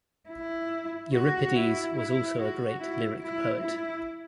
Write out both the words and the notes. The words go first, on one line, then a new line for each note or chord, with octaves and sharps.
Euripides was also a great lyric poet.
E4
F#4
E4
E4
F#4
E4
E4
E4